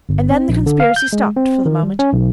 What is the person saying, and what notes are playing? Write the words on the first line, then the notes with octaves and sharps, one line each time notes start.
And then the conspiracy stopped for the moment.
G1
C4
A#1
D3
F5
G6
G#3
C4
D#3
G3
C#4
B1